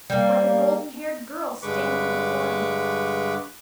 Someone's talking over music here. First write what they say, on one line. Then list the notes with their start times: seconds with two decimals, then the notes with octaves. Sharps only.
Why, the golden-haired girl standing before him.
0.10 G3 A#3
1.62 G2 D3 G#3 B4 C#6 D6